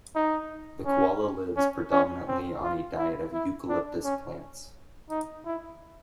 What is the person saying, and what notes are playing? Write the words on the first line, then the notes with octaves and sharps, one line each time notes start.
The koala lives predominantly on a diet of eucalyptus plants.
D#4
C#4
C#4
C#4
C4
F4
E4
E4
D4
C#4
D#4
E4